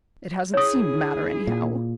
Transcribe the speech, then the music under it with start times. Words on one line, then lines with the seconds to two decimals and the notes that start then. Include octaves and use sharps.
"It hasn't seemed to matter, anyhow."
0.54 E4 G#4 C#5 D#6
1.47 A#2